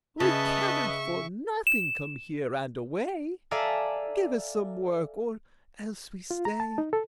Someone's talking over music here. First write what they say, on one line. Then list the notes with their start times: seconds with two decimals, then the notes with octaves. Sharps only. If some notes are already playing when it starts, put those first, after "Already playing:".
"We cannot for nothing come here, and away. Give us some work, or else we stay."
0.20 C#3 B4 D#5 E5 A5 C#6
1.67 E7
3.51 A4 D5 E5 F5 G#5 A#5
6.31 F4
6.45 A#5
6.60 A5
6.78 D#4
6.93 A4